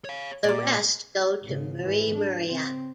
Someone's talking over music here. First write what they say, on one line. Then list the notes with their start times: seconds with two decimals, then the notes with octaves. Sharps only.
The rest go to Murimuria.
0.05 C#5 F5
0.44 A#2 D5 D6
1.43 G#1 C#3
1.81 G#2 E3
2.14 D4
2.46 C#3 C4